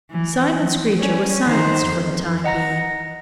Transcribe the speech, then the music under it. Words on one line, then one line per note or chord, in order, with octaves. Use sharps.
Simon Screecher was silenced for the time being.
E3
F3
G3 C#4
D#3 C5
F2
D#5 F#5 A#5 A#6